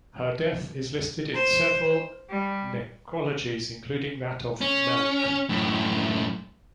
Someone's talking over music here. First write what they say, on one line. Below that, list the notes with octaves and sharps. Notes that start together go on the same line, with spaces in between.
Her death is listed in several necrologies, including that of Melk.
C5
G3
C#4
F#2 A2